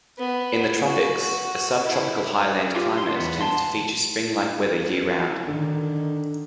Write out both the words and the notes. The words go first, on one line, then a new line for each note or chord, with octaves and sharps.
In the tropics, a subtropical highland climate tends to feature spring-like weather year-round.
B3
F#4
E4
F4 G4
C6
E2 B3
A5 C6
D3 D#3